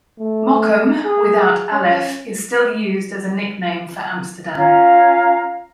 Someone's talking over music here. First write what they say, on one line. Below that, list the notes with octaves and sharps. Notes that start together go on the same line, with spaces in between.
"Mokum", without "Aleph", is still used as a nickname for Amsterdam.
A3
G#4
C#4
C#4 F4 F5 A#5